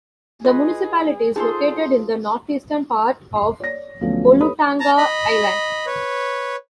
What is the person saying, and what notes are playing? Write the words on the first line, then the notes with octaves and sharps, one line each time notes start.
The municipality is located in the northeastern part of Olutanga Island.
F4 G#4 B4 D#5
D#4 F4 G#4 A4 C5 A5 C6
C6
C#5 D5 A#6
D2 F3 F#3 A3 B3 C#4
G4 A4 B4 C#5 B5 D#6
A5 A#5
D#5 B5
B4 C#5